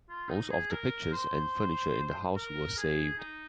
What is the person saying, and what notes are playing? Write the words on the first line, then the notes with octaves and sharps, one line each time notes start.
Most of the pictures and furniture in the house were saved.
F4
D#4
G#4
A#4
C5
A#4
G#4
D#4